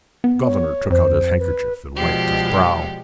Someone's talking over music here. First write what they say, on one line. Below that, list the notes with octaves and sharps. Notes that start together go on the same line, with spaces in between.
The governor took out his handkerchief and wiped his brow.
B3
C#5
F2 C5
B4
B2 F3 G#3 G4 D5